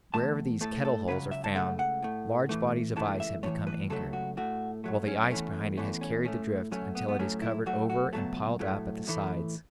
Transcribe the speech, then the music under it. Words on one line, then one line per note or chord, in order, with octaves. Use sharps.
Wherever these "kettle holes" are found large bodies of ice have become anchored, while the ice behind it has carried the drift until it is covered over and piled up at the sides.
E2 E3 A3 A5
A2 A3 A4
A4
C#2 C#3 F#3 B4
E5
A5
C#2 C#3 A3 F#5
F#5
A2 A3
A2 E3 A3
C#2 C#3 E3 A3 A5
E5
A2 E3 A3 C#5
B4
C#2 C#3 F#3 A3 A4
F#4
A2 A3 F#4
F#2 F#3 A3
C#4
E2 E3 A3 C#4
E2 E3 A3 C#4
C#4
A2 A3 C#4
F#2 F#3 A3 C#4
B3
B3
A2 F#3 A3 C#4
E4
F#2 F#3 A3 F#4
F#4
C#2 B2 F#3 A3 A4
A2 F#3 A3
A2 E3 A3